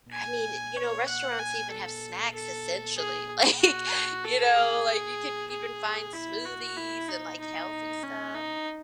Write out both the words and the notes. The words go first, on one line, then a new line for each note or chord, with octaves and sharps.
I mean, you know, restaurants even have snacks essentially. Like, you know, like, you could even find smoothies and, like, healthy stuff.
G#5
C#5
F#5
G#5
A4
A4
G#4
F#4
A4
G#4
G#4
E4
F#4
E4
D#4
D#4
C#4
D#4